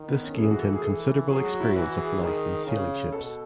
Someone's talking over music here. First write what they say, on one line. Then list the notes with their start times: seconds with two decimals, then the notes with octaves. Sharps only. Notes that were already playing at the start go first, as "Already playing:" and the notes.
This gained him considerable experience of life in sailing ships.
Already playing: D#3
0.08 B3
0.23 C#4
0.34 A4
0.38 E3 G#4
0.50 F#4
0.62 A4
0.73 G#4
0.84 E3 A4
1.30 F#3 G#4
1.45 F#4
1.60 E4
1.75 E3 F#4
1.98 G#4
2.21 D#3 G#4
2.67 C#3
3.12 B2 A4